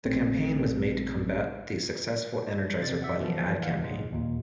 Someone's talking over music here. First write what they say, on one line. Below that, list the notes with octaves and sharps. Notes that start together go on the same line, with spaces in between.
The campaign was made to combat the successful Energizer Bunny ad campaign.
A#1 C#3 A3 C4
C3 A6
D5 E5 F#5
B2 E3 F3
E3 F5 F#5
G#2 G#3
D#2 A#2